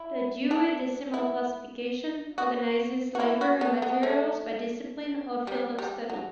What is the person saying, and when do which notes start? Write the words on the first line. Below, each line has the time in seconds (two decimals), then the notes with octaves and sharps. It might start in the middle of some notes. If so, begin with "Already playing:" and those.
The Dewey Decimal Classification organizes library materials by discipline or field of study.
Already playing: E4
0.51 D4
1.14 E4
2.38 F#4
3.15 F#4
3.19 E4
3.41 F#4
3.61 B3
3.82 B3
4.03 A3
5.47 G3
5.79 G3
6.10 F#3